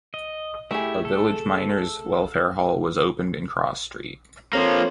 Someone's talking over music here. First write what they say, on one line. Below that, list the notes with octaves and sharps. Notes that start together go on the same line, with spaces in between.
A village Miners' Welfare Hall was opened in Cross Street.
D#5
A3 E4 G4 G#4 E5
A4
F3 A#3 C4 A4 C#5